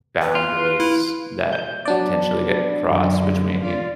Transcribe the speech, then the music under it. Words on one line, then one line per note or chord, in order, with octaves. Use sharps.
boundaries that potentially get crossed between,
B4
F4
E4
G6
F#3 B3 D4 D5
F#2 D3
F4 D5